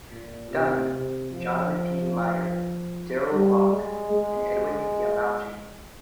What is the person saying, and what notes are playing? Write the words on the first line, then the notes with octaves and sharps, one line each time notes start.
Dunn, John P. Meier, Darrell Bock, and Edwin Yamauchi.
A#2
C3
C3
F3
G3
G#3
G#3